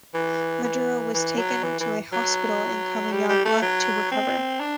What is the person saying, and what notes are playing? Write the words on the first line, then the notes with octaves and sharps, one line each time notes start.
Maduro was taken to a hospital in Comayagua to recover.
E3
E3
E3
F#3
E3
E3
F#3
G3
G3
A3
F#3
C4
D4